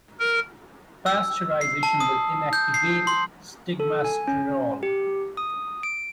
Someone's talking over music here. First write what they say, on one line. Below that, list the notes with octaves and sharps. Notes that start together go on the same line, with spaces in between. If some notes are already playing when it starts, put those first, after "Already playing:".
Pasteurization will inactivate stigmasterol.
A#4
E6
C7
A5
D#6
G6
C7
C6
A4
G#5
C#4
G4
D#6
D7